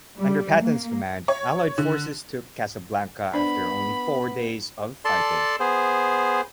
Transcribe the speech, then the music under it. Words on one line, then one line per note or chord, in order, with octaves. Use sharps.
Under Patton's command, Allied forces took Casablanca after only four days of fighting.
G3
A#3
C#5
D3
B3 D4 C5 D5 B5
A4 D5 A5 C6
B3 G#4 C5